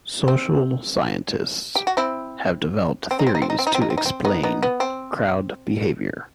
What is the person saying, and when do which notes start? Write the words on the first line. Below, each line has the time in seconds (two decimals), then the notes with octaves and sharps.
Social scientists have developed theories to explain crowd behavior.
0.28 C4
1.75 G4
1.87 F#4
1.97 C4 E4
3.11 C4
3.19 D#4
3.27 C4
3.35 D#4
3.42 C4
3.50 D#4
3.59 C4
3.67 D#4
3.75 C4
3.82 D#4
3.90 C4
3.98 D#4
4.06 C4
4.25 B3 D#4
4.43 B3 D#4
4.63 B3
4.80 C4